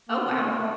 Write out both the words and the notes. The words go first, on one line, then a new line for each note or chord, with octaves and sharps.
Oh, wow.
A#3
B3
C4
G#3
A#3
A3